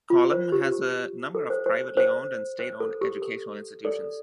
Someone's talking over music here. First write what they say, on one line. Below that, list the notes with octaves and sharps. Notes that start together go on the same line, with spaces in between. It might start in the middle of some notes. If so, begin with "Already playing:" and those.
Kollam has a number of privately owned and state-owned educational institutions.
F4
C5
G4
G4
A4
C5
C5
C5
C5
A4
G4
A4
A4 D5